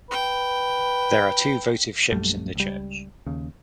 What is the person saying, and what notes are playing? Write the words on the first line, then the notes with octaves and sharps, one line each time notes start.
There are two votive ships in the church.
B4 G5
A#1 F#2 G3 A3
C#2 G3
D#2 C#3